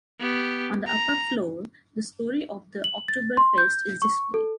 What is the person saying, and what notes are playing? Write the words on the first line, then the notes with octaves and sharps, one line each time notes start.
On the upper floor, the story of the Oktoberfest is displayed.
B3 G4
A#5
F#7
A6
C6
G6
C#6
A4